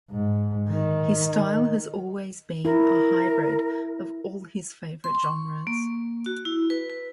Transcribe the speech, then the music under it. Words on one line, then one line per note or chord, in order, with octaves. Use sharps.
His style has always been a hybrid of all his favorite genres.
G#2
D#3
E4 A#4
C6
C#6
A#3
F#4
E4
B4
B4